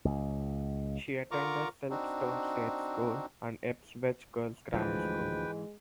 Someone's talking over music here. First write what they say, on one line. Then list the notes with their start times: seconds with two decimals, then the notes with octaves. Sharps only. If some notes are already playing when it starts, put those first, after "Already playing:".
She attended Silkstone State School and Ipswich Girls Grammar School.
0.05 C#2
1.31 D3 F4 A#4 A#5 C#6 D6
1.90 C4 D4 D#4 F#4
4.74 D2 G#2 E3 F3 G#3 B4 G5